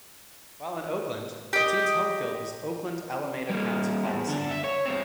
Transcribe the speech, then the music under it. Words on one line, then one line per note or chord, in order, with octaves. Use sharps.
While in Oakland, the team's home field was Oakland-Alameda County Coliseum.
G4 D#5
G3 A#3
E2
D3
E5
C#5
G2 C4